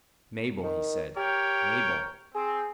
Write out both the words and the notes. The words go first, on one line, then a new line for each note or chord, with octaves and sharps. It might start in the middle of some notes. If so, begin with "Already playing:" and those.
"Mabel," he said, "Mabel."
D#3
G4 A#4 C#5 G5
C4 G#4